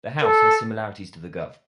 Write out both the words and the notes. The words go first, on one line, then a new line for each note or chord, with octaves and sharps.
The house has similarities to the Gov.
A#4
A4